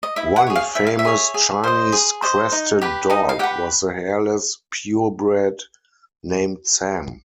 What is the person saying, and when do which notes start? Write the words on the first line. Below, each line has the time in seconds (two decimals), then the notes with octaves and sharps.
One famous Chinese crested dog was the hairless purebred named Sam.
0.03 D#5
0.16 E4 E5
0.36 F#5
0.47 G#4 C#5
0.55 F5
0.75 E4 E5
0.87 F5
0.99 E5
1.05 G#4 C#5
1.34 G#4
1.64 C5 D#5
1.92 G#4
2.22 C5 D#5
2.52 D#4
2.82 G4 B4
3.10 D#4 D#5
3.29 F5
3.39 G4 F#5
3.43 B4